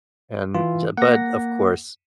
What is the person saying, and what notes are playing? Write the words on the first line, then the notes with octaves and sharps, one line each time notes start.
and j but, of course,
E3 F4
A#3 F#5 A#6